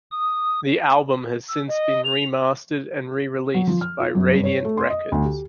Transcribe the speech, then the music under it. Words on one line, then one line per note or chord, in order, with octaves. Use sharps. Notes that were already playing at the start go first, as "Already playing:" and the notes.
The album has since been remastered and re-released by Radiant Records.
D#6
E6
D#5
F7
F#3
F3
F6
F4
F#2
G2
C#5
A3
C6
D#5
D2
G4